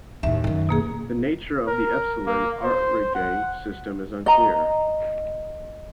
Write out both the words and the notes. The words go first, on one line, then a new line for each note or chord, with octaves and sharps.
The nature of the Epsilon Aurigae system is unclear.
D#2 A2 E5
F#2 D#3
B2 A#3 G#4
A#4
A#3
C5
F#5
D#5 A#5